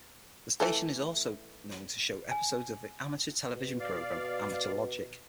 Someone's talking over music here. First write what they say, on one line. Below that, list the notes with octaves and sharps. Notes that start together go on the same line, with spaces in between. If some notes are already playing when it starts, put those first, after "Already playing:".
The station is known to show episodes of the Amateur Television Program 'Amateurlogic'.
E3 A3 A4
G#5
B2
D5 F5
B2